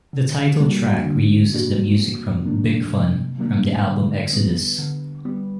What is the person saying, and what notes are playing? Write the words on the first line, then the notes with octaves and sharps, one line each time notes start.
The title track reuses the music from "Big Fun", from the album "Exodus".
D3
G3 A#3 D4 F#4
D3
G3 A#3 D4 F#4
C3
D#3 F#3 A#3 D4
C3
D#3 F#3 A#3 D4
D3
G3 B3
D3
G3 B3